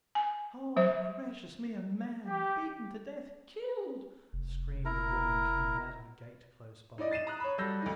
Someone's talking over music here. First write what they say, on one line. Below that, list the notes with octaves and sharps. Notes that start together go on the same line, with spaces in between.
"Oh, gracious me, a man beaten to death--killed!..." screamed a woman coming out of a gate close by.
G#5
F#3 C5 E5
G4
F1
E4 A#4 A#5
D#4 E4 D5 D#5
A6 C7 D#7 E7
A#5 D#6 F#6
C#5 B5
F#3 G3 A4 E6 G6 A#6
D2 D#4